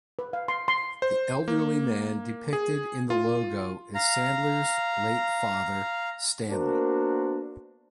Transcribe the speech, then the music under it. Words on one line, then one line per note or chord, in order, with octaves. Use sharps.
The elderly man depicted in the logo is Sandler's late father, Stanley.
B4
F5
C6
C6
C5
A#3
G#4
F4
F5 A#5
A#3 B3 D4 F#4 A#4 C5